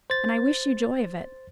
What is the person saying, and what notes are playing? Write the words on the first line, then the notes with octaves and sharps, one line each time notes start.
And I wish you joy of it!
C5 A6